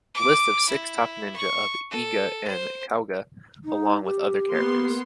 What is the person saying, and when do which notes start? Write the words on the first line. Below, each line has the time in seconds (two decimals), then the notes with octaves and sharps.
The list of six top ninja of Iga and Kouga, along with other characters.
0.15 D6
0.69 E4
1.36 C#6
1.91 A4
2.48 C5
3.64 D#4
4.04 G4
4.50 A#3 B3 C6